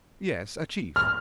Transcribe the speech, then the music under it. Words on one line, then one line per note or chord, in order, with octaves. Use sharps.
"Yes, a chief."
F6